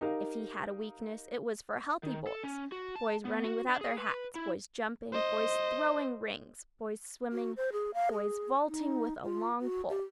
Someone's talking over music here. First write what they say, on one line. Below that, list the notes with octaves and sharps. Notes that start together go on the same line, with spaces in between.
If he had a weakness, it was for healthy boys--boys running without their hats, boys jumping, boys throwing rings, boys swimming, boys vaulting with a long pole.
D#4 G4 A#4 F5
D#3
A4
C#4
F#4
A5
B3
F#4
D4
G#4
B4
E4
C5 D#5
F#4
C5
G#4
F5
G#4
D#4
F4
F#4
G4